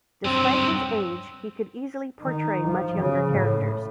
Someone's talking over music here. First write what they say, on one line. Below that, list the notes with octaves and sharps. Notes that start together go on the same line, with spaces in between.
Despite his age, he could easily portray much younger characters.
G2 F#3 C4
D#3
F3
C#3
A2